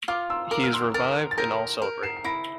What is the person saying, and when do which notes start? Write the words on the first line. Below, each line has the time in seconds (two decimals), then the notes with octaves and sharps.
He is revived, and all celebrate.
0.08 F4 D6 F6
0.30 C6 E6
0.51 A#4 A#5 D6
0.64 F6
0.73 C6 E6
0.94 A#4 F6 A6
1.31 A6
1.38 A#4 G6 A#6
1.82 A#4
2.03 C7 E7
2.17 C7
2.24 E4 A#6 D7